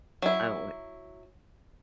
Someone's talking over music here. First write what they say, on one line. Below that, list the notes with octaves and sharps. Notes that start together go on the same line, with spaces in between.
I don't li
F#3 E4